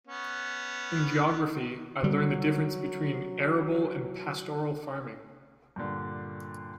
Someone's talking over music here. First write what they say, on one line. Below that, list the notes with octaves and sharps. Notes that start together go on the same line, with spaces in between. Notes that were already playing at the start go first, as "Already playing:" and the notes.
In geography, I learned the difference between arable and pastoral farming.
B3 C#4
D3 F#3 G3
G2 A#2 D3